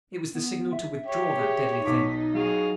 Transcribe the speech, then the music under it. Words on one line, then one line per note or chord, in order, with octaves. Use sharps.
It was the signal to withdraw that deadly thing.
B3
E5
G4 C#5
G#4
B1 D#4 D6 B6
F#3 F#4 G#4 F5